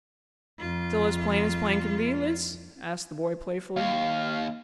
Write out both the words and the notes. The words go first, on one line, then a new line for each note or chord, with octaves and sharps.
'Still as plain as plain can be, Liz?' asked the boy playfully.
F2 F4
D#2 F5